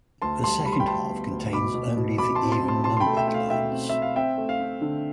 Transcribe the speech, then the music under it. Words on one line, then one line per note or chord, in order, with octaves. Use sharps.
The second half contains only the even-numbered lines.
D2 A5 C6
G3 A5 C6
G3 B5
C6
G5 B5
D2 A5 C6
B3
D2
B2 B5 D6
B2
B2
B2 B5 D6
A5 C6
C4
A5 C6
C4
A5 C6
B2 A5 C6
C6
G5 B5
A3
E5 G5
A3 G5
F5
B2 E5 G5
C4
C4 E5
F5
C4 E5 G5
A3
F5
C4
D3